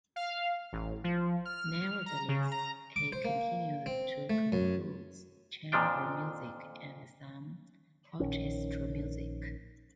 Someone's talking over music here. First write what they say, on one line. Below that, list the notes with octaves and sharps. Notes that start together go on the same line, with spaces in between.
Nevertheless, he continued to compose chamber music, and some orchestral music.
F5
A1
F3
F6
A#5
C#3
A#5
D6
C5
A#3
C4
A3
F#2
F2 A#2 F3 D4 G5
A#1 D#3 C#4